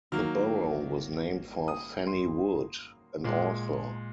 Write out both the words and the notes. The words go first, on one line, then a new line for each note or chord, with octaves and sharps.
The borough was named for Fannie Wood, an author.
D#3 F#3 A#3 F6
D#6
C6
A#2 G#3